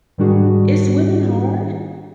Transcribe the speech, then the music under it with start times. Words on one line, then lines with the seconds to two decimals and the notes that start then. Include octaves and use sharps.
Is swimming hard?
0.18 G#2 D#3 G3 D4 F#4 G#4